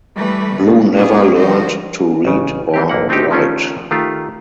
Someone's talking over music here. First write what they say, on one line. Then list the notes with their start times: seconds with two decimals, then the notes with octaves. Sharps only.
Blue never learned to read or write.
0.15 E3 G3 A3 B4
0.61 G#2 B2
0.92 A#2 B3 G4 G#4
1.36 D3 F3 G3 F#4 C5 D#5
2.25 A1 C#3
2.74 E3 C4 G4
2.89 B1 F2 A#3 E4 F#5
3.09 A3 C4 D4 D#4 G4
3.30 D#3 F3 A3 C#4 F4 D5
3.91 D#3 A3 F4 G4